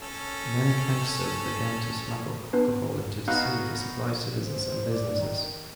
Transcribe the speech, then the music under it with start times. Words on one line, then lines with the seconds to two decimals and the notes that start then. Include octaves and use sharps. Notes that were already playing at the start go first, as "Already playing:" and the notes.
Many gangsters began to smuggle alcohol into the city to supply citizens and businesses.
0.02 C#4 A4
2.53 B3 D4 B4
3.28 B3 D#4 F#4 F5 F#5
4.47 C5
4.86 D5
5.18 D#3